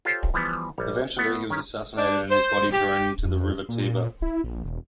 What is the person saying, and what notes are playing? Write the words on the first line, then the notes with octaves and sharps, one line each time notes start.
Eventually, he was assassinated, and his body thrown into the river Tiber.
F4 G4 A4 C5 C#5 G5
E3 F3 G3 B3
A#1 G3 C#5
A3 B3 F#5
D#3 C#4 G4
D4
C5
G4
F2
A#2
E4
A#1
E1